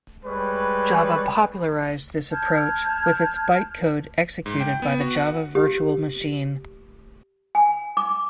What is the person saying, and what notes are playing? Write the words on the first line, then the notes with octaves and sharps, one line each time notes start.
Java popularized this approach with its bytecode executed by the Java virtual machine.
G3 G#3 B4 C#5
A5 F6 G6 G#6
G#2
G5
B3
F#4
F#5
G4
G#5
D6